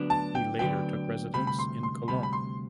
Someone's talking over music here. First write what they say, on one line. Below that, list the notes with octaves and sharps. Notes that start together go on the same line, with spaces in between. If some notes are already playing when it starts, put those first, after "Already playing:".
He later took residence in Cologne.
Already playing: D2 D3 F#3 B3 D4
A5
G5
D2 D3 F#3 B3 D4 G5
D2 C3 G3 B5
B5
C6
C6
D2 C3 G3 B5
B5
C6